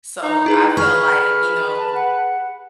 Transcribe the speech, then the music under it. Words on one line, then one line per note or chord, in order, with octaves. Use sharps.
So I felt like, you know,
D#4
E4 G#4 B4
G#4 B4 C#6 F6
A5
F#5